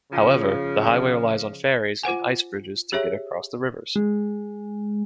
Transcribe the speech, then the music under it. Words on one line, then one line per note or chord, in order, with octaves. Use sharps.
However, the highway relies on ferries and ice bridges to get across the rivers.
C#3 F3
F4 C5 F#5 G#5
G4 G#4 C#5 E5
G#3